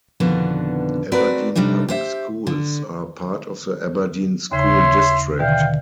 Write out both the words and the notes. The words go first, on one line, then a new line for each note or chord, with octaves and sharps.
Aberdeen Public Schools are part of the Aberdeen School District.
F2 B2 D3 D#3 B3 D4
A3 C4 F#4 A#4 B4 D5
C3 G3 A3 D4 D#4
G4 C5 E5
D3
D#2 C#3 C#5 E5 C6
B2 D3 D#3 E5 F5 G5